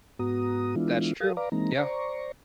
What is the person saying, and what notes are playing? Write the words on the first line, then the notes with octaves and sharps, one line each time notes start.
That's true, yeah.
G#2 B3 F#4 A#5 D#6
E3 G#3 B3 D4 E4 F4
G4 A4 A#4 F5 D#6
B4 D5 F5 A#5 D6
E3 G#3 A#3 C4 D#4 A#5
C5 D5 A#5 C#6